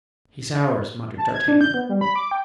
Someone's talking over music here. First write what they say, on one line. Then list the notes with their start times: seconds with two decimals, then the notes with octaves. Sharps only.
"He's ours," muttered D'Artagnan.
1.18 A5
1.34 G#6
1.48 D4
1.61 G6
1.74 B3
1.89 G3
2.01 B5
2.16 D6
2.31 G5